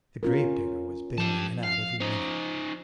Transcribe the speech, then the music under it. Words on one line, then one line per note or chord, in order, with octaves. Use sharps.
The gravedigger was baling it out every minute.
C#4 F4 A#4
F3 G4 A5
F5
C#4 D#4 C5